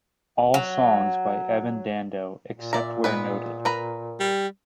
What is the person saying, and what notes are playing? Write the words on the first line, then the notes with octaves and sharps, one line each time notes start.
All songs by Evan Dando except where noted.
F#3
A#2
D5 E5 A#5
G#3 B3 B4
A#4 B4 A#5
G3